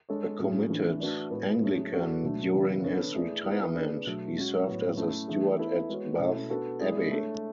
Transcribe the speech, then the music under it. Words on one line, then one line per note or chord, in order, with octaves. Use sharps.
A committed Anglican, during his retirement he served as a steward at Bath Abbey.
G#3 D4 A4 C#5
A2 F#3 C#4 G#4
E3 A3 D4
A3 D4 F#4 B4 D5
A2 G#3 B3 F#4 B4
F#3 A3 D4 G#4 C#5
B3 F#4 A4 D5
B2 F#3 A3 D4
C#3 E3 B3
B3 D4 A4 C#5
A3 E4 G#4 B4 D5
B3 E4 G#4 B4
B3 D4 G#4 D5
B2 F#3 A3 D4
G#3 C#4 F#4
A2 F#3 B3 F#4 C#5
A3 C#4 E4
E3 A3 D4 G#4
B3 E4 A4
G#3 B3 F#4 C#5
B2 A3 C#4 E4 A4
B3 D4 F#4 A4
G#3 B3 E4 G#4 D5
A3 D4 A4 C#5